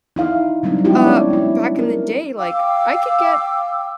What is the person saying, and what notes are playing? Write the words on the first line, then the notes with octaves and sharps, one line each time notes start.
uh, m back in the day, like, I could get
D#4 E4 F5
F#3 G3 C4 D4 D#4
G#3 B3 D4 E4 F#4 G4
C#4 C#5 D5
D4 E4
A#4
F5 G5 D6 E6